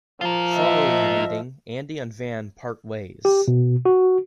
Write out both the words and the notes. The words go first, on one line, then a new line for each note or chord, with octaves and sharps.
Following the meeting, Andy and Vann part ways.
F3 F4 A#4
D#5 E5
G4
B2
F#4